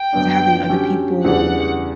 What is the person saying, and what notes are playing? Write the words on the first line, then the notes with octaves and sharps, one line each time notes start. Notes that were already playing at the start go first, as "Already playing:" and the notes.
to having other people
Already playing: G5
F#2 D3 F#3 B3 D4
D3 F#3 C#4 G4
E2 C#3 E3 G3 D4 F#5